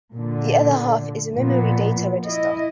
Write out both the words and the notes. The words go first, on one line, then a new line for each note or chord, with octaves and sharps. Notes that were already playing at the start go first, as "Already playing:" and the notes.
The other half is a memory data register.
A#2 D3
A#2 F3 B3
E4 D#5